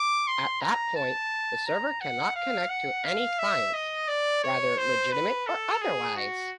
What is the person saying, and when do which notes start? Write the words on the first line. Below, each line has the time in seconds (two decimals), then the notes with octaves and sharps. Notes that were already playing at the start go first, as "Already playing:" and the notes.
At that point, the server cannot connect to any clients, whether legitimate or otherwise.
Already playing: D6
0.27 C6
0.61 A#5
0.96 A5
1.66 A#5
2.01 F#5
2.35 F5
2.69 F#5
3.04 F5
3.39 E5
3.73 D#5
4.08 D5
4.43 C#5
4.78 C5
5.12 B4
5.47 A4
5.81 G#4
6.16 F#4